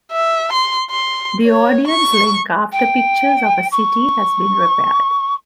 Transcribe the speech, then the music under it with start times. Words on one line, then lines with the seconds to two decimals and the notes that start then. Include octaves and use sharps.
The audience link after "Pictures of a City" has been repaired.
0.12 E5
0.53 C6
0.91 C6
1.43 C#5
1.88 C#6
2.72 G5
3.71 C#6